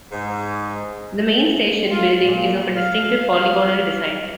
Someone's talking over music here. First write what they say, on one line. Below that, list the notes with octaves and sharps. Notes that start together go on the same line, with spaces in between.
The main station building is of a distinctive polygonal design.
G#2
F4
A#2
F5